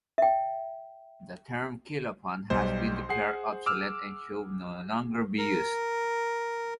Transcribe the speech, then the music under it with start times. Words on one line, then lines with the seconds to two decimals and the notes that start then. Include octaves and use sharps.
The term "kilopond" has been declared obsolete and should no longer be used.
0.18 E5 G5
2.50 B1 G3 C5
3.09 G#4 F#5 C7
3.66 D6 E6 F6
5.38 A#4